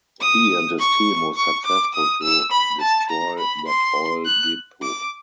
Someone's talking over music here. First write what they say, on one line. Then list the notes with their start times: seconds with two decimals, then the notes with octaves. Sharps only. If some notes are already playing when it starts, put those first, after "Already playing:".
He and his team was successful to destroy that oil depot.
0.21 D#6
0.79 C#6
1.37 C#6
1.65 D6
1.94 D#6
2.23 E6
2.52 B5
2.81 A5
3.10 A#5
3.39 B5
3.68 C6
4.26 F#6
4.83 D6